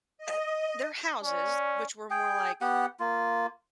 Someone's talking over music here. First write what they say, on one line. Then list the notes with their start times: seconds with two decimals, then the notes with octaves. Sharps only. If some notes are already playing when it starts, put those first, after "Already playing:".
uh their houses, which were more like
0.18 D#5
1.23 C#4 D5
2.10 G#4 G5
2.61 B3 G4 F#5
3.00 A#3 F4